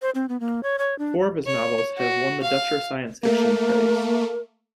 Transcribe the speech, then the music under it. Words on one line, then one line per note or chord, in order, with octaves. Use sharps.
Four of his novels have won the Deutscher Science Fiction Preis.
C5
C4
B3
A#3
C#5
C#5
D4
C#5
F#4
F5
A3 A#3 A#4